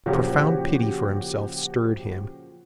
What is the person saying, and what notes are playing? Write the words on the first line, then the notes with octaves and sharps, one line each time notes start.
A profound pity for himself stirred him.
A#2 C#3 F3 F#4 G4 C#5